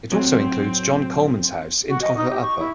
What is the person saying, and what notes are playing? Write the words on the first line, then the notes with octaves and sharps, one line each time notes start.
It also includes John Coleman's house in togher upper.
A2 F#3 C4
F#4
D#5
D#4
G4
C#6
E4